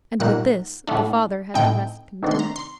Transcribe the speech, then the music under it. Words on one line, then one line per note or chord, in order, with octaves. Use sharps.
And with this the father had to rest content.
A#2 G3 A#3 D#4 F#5
A2 A3 D4
A2 A3 C4 D#4 G5
C3 D#3 A3 D4
C6
A#5
C6